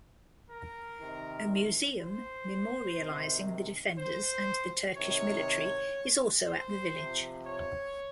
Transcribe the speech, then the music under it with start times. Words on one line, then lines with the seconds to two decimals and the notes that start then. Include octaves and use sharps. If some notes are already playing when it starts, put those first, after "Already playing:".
A museum memorializing the defenders and the Turkish military is also at the village.
0.49 A#4
0.99 C3 D#3
1.99 C5
2.98 C3 D#3
3.98 C5
4.97 C3 D#3 C#5
6.47 C5
6.96 C3 F3
7.46 C#5